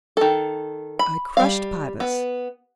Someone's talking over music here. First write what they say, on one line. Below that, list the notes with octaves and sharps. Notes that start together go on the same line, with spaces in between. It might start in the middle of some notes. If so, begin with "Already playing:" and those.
I crushed Pybus.
D#3 A4
B5
G3 F5
B3